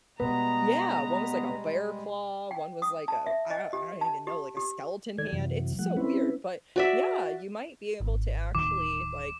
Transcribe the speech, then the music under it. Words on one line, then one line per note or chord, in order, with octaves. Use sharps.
Yeah, one was like a bear claw, one was like, uh, I I don't even know, like a skeleton hand, it's so weird, but yeah, you might be able to actually, like,
B2 G3 G#3 B3 B4 A#5
G5
D#6
A5
E5
D#5
G4
A5
G4
G4
D#3 A4 D5 G#6
F#2 C3 E3 F#3
F3 G3 A3 F#5
C4 C#4 E4 B4
F#4 D5 E5
G#1
D1 D#3 F#3 D6